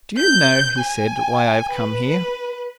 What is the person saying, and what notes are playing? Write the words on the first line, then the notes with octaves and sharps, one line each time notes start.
"Do you know," he said, "why I have come here?"
G6
G#5
B4